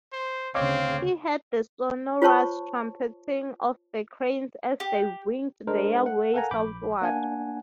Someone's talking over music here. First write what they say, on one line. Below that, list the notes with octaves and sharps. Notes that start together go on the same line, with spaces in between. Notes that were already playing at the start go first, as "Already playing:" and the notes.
He heard the sonorous trumpeting of the cranes as they winged their way southward.
C5
D2 C#3 C4 C#5 F5 D6
F4 C5 C#5 A5 C#6
G4
G#3 D4 A#4 C5
F#5
A4 A#4 F5 F#5 G#5 A#5
A#1 B5 D6 G6
A#3 D4 F#5 G#5